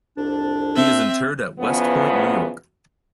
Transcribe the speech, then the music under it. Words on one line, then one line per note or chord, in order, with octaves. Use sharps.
He is interred at West Point, New York.
C2 F2 D4
C4 E5
E2 C#3 F3 B3